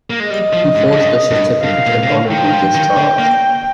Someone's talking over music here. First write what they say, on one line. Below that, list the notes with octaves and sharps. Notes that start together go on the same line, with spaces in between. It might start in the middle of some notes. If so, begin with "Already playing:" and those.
He forged a certificate of honorable discharge.
A#3
G#3
G3 D#5
F3
G#2
F2
G2
G2
G2 F5
A#2
C3
D3
D#3 G5
F3
D#3
F3
D#3
D3
A#3